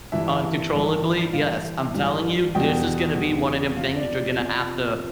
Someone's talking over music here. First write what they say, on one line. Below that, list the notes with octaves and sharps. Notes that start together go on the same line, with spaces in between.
uncontrollably yes, I'm telling you, this is gonna be one of 'em things you're gonna have to
G2 E3 G3 E5
G2 E3 G3
G2 E3 G3 F5
G2 E3 G3
E2 B2 G3 G5
E2 B2 G3
F2 C3 F3 F5
D5
F2 C3 F3